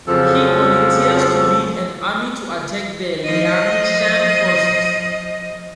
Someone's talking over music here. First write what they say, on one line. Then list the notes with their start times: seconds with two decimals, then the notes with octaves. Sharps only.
He volunteers to lead an army to attack the Liangshan forces.
0.08 F2 C#3 F3 F#3 A4
3.24 F3 D#5